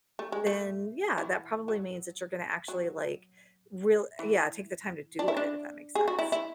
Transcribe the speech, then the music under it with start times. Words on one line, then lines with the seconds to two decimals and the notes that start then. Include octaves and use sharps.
then yeah, that probably means that you're gonna actually, like, real yeah, take the time to do it, if that makes sense?
0.19 A3
0.32 G#3
0.47 A3
1.18 E3
1.68 F#3
2.68 F#3
4.19 E3
5.19 D4
5.28 E4
5.37 D4
5.95 G#4
6.08 F#4
6.19 E4
6.32 E4